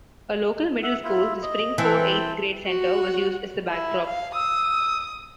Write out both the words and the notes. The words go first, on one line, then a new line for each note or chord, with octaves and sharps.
A local middle school, the Spring-Ford Eighth Grade Center, was used as the backdrop.
E5 F#5
E4 F4 E5
D#5
E3 C4 G5 A5
F#4 F#5
E4
F5
D#6 E6